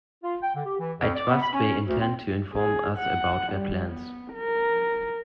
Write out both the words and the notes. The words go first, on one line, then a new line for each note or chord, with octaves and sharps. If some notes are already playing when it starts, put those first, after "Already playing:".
I trust they intend to inform us about their plans.
F4
G5
D3
G4
E3
F2
D5
B3
B5
C#4
D2
C4
G#4
F#5
G3
B3
A#4